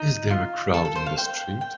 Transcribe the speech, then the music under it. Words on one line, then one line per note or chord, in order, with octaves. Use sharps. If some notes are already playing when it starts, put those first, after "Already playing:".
Is there a crowd in the street?
Already playing: D#4
F4
A4
A4
C5
F5
G5
G5